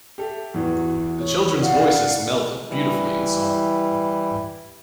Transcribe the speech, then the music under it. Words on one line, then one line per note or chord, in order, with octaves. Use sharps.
The children’s voices melded beautifully in song.
G4 A4 E5
E2 E3 F#4
C#5
F#4 D5 F5 F#5
D4
E3 G3 E4